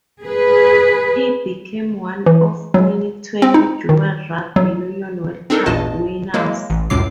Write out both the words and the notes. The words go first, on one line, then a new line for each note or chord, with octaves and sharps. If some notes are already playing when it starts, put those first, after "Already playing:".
He became one of only twenty dual Rugby Union World Cup winners.
G#4 B4
E3
F#3
C4
D#4
D#3
F#3
C4 D4 D#4 A4 A#4
A1 E2 G2 A#2 D#5 A5
F#3 G#3 A#3 E4
A1
C#2 F#2 A2 F#3 D6 C7